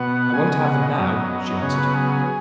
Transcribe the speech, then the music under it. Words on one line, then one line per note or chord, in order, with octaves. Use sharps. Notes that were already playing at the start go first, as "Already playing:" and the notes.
'I won't have them now,' she answered.
Already playing: B2 B3 F#5
C#3 G#3 B3 G#5
F#5
D#5
F#2 F#3 B3
C#3 F#3 B3 C#5
B4
G#4